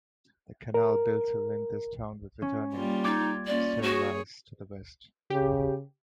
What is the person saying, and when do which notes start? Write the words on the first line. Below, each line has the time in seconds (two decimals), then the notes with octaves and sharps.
The canal built to link this town with Vedaranyam still lies to the west.
0.74 A#4
2.42 C#4
2.74 G3 A#3 F4
3.04 D#4 D6 G#6 A6
3.46 A#3 C#4 F4 D5
3.82 F#4 G#4 C#5
5.30 C#3 G4